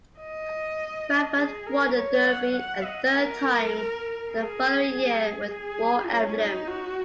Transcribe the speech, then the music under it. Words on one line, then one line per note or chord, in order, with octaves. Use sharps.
Baffert won the Derby a third time the following year with War Emblem.
D#5
G#4
A#4
C#5
F#5
F#5
D#5
A#4
G#4
G#4
C#4
D#4
F#4